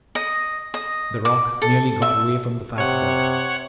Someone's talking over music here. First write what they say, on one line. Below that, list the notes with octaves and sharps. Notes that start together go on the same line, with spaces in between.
The rock nearly got away from the fat boy.
D#5
D#5
D6
A4
E5
C3 C#5 F#5